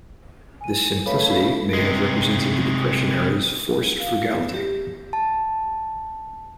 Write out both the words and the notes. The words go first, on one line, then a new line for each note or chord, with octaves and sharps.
This simplicity may have represented the depression era's forced frugality.
G#5 D#7
A3 A4 B4 C#5 F5 B5
C3 G#3
F5
B3
G4
A5